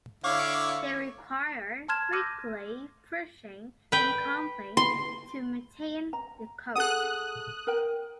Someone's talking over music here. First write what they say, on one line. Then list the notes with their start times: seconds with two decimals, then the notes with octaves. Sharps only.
They require weekly brushing and combing to maintain the coat.
0.24 D3 E4 C#5 F5 C#6 D6
1.88 A5 C6 F6 G#6 E7
2.13 D6 E6 F6 G6 A#6 D#7
3.92 B4 G5
4.77 C6
6.13 A#5
6.75 G#4 A4 F#5 D#6 F#6
7.67 A#4 G5